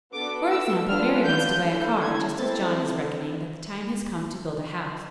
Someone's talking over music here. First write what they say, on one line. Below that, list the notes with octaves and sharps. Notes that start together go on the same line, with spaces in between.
For example, Mary wants to buy a car, just as John is reckoning that the time has come to build a house.
B3 D4 F#4 A4 D6
E6
B3 D4 F4 F6
G6
C#4 E4 A4
G#6
C4 E4 A4 A6